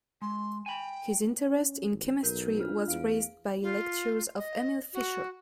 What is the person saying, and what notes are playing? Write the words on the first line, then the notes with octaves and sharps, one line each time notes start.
His interest in chemistry was raised by lectures of Emil Fischer.
G#3 C6
G5 G#5 B5
C#4
G#1
B1 A#4 G6
D4 F4 F6
E2 F5 D7
F4
D#5
F#4